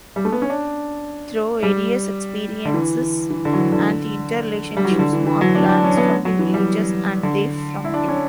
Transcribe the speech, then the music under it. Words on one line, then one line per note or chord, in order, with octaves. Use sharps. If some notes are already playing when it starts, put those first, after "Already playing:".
Through various experiences and inter-relationships, Mark learns from the villagers and they from him.
G3
A3
B3
C#4
D4
G3
D3
E3
E3
D3
F#3
E3
D3
G3
F#3
E3
D3
E3
E3
F#3
D4
D4
C#4
B3
F#3
E3
G3
D3
E4
D4
C#4